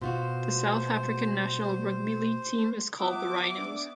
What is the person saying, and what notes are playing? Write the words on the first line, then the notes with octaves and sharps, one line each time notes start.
The South African national rugby league team is called the Rhinos.
B2 F4 F#4 C5
B3 F4 E5 D6
D4